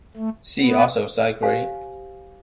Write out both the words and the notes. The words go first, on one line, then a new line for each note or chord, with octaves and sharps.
See also: sidegrade.
A3
B3
G4 C5 F5 G#5